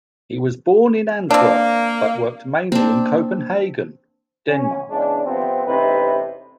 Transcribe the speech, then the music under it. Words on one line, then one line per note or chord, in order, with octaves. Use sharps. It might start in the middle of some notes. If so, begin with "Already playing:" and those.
He was born in Antwerp but worked mainly in Copenhagen, Denmark.
A#3 C4 D4
A#3 C4 D4
C#4
E2 C#3 G#3 D4
C3 F3 B3 C4
A1 E2 C3 D#4 E4 B4